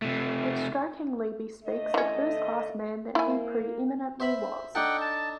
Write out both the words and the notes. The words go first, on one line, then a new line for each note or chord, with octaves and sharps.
It strikingly bespeaks the first-class man that he pre-eminently was.
C3 A3
D3 A3 D#5
E3 C#4
A#3 E4 G#5
C5 E5 B5
D4 D#4 A4 F#5 G5
A5